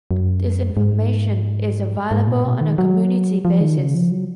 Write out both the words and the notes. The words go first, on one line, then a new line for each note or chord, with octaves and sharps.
This information is available on a community basis.
F#2
G#2
G#2
A#2
B2
D#3
F#3
F3
D#3
C#3
F3
F#3